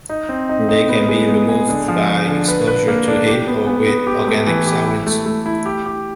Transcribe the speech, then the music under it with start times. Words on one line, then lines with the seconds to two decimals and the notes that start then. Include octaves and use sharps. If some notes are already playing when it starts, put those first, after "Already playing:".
They can be removed by exposure to heat or with organic solvents.
0.10 D#4
0.29 C4
0.49 D#4
0.69 D#4
0.89 B3
1.09 G#3
1.29 B3
1.49 G#4
1.69 D3
1.88 F3
2.08 D3
2.28 D3
2.48 B4
2.68 B4
2.88 A#3
3.08 D4
3.27 G4
3.47 B3
3.67 B3
3.87 B3
4.07 G4
4.27 A3
4.47 E3
4.67 G4
4.86 E4
5.07 A3
5.26 A3
5.46 E4
5.66 G4
5.86 G4